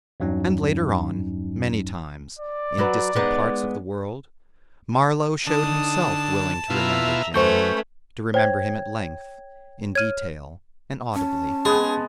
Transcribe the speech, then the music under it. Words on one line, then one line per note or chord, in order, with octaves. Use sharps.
And later on, many times, in distant parts of the world, Marlow showed himself willing to remember Jim, to remember him at length, in detail and audibly.
E2 G2 F#3 C#4 D#4
D5
F#3 F#4 B4
G#3 B3 D#4
D3 D#4 A5 D#6
B2 E4 F4 E5 A#5
F#2 A3 C#4 B4 C5 C#6 G6
C5 C#5 G5 G#6
C#5 F6 G#6 D#7
C#4 A5
G#3 B3 G#4